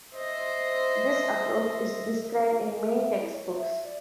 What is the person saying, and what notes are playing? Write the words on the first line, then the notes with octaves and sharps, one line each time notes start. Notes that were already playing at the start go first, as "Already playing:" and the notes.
This approach is described in many text books.
C5 D#5 E5
A#4
E5
E4
C#5
E5
D5